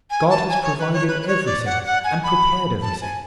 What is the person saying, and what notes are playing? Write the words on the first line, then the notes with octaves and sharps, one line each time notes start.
God has provided every thing, and prepared every thing.
G#5
A5
G#5
C#5
B4
C#5
B4
B4
C#5
D5
F#5
F#5
G#5
B5
A5
G#5